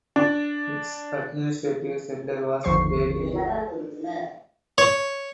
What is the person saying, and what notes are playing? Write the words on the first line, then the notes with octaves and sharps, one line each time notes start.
Its administrative centre was Bely.
D4
G1 D#2 F3 C5 C#6 C7
C#5